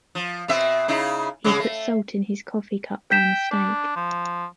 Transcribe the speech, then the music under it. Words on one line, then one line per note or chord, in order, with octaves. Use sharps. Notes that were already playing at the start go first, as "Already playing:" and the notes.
He put salt in his coffee cup by mistake.
F3
B2 C4 E5
C#3 D#4 E4
C#3 G#3 C4
A3
G5 G6 B6 E7
D4
F3